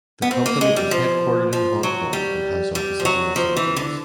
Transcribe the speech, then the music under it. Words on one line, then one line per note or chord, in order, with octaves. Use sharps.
The company is headquartered in Hong Kong and has offices in Los Angeles.
B3
C4
A#3
G#3
G3
F3
F3
F#3
G3
G3
F3
F#3
F3
E3
D3